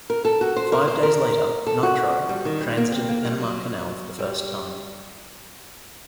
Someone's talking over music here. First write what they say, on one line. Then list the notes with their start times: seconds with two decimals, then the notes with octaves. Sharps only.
Five days later "Nitro" transited the Panama Canal for the first time.
0.10 A#4
0.25 A4
0.41 F#4
0.56 C5
0.72 A#4
0.88 C5
1.03 A#4
1.67 A4
1.83 F#4
2.29 G3
2.45 D#3
2.61 G3
2.77 A#3
2.92 C4
3.09 A#3
3.25 G3
3.40 F#3
4.19 G3